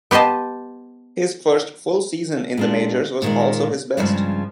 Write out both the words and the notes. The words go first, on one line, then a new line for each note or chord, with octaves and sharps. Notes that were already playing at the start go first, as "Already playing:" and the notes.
His first full season in the majors was also his best.
B3 G4 C5 D#5 A5
A#2 G#3 D4
A#2 D#3 G#3
G2 C#3 F3 G3 G#3